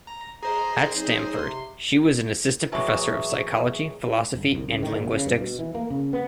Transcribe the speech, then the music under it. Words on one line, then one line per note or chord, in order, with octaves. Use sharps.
At Stanford, she was an assistant professor of psychology, philosophy, and linguistics.
A#5
G#4 C5 D#5 A#5
F#3 C4 D#4
C3 C6
A2 E3 F#3 G#3
G1
C2
C#2
D#3
A#2
C#3
G2
B2
E3
A#3
C#3
B3